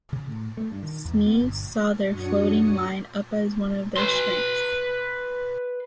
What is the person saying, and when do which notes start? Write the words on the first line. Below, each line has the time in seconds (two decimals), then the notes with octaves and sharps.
Sneeze saw their floating line-up as one of their strengths.
0.13 C#3
0.28 A2
0.57 A3
0.71 G2
0.83 D#3
1.05 E2
1.26 B3
1.40 G1
2.10 F#2 D4 F#4 C#5 D#6 C#7
3.97 B4 C6